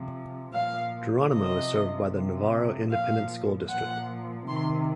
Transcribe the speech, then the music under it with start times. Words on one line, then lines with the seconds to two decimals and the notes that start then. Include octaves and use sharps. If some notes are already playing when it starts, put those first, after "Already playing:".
Geronimo is served by the Navarro Independent School District.
Already playing: C3 F3
0.53 A#2 F3 F5
1.31 C3 F3 D#5
2.10 C3 F3
2.89 A#2 F3 F5
3.68 A#2 F3 F#5
4.47 C3 D#3 C6